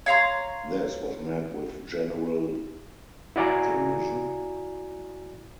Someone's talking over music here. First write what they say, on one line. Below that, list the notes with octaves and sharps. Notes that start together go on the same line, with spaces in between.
This was met with general derision.
C#5 F5 A#5 C6
E4 F#4 D5 G#5 A#5